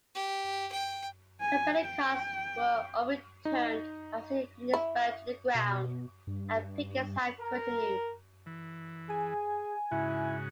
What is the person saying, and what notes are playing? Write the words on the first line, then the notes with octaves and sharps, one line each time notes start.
Company cars were overturned, housing units burned to the ground, and pickets have continued.
G4
G5
G#5
G5
D#4
E4
B2
G2
A#4
E3
G#4 G#5
G#2 C#3 E4 F#4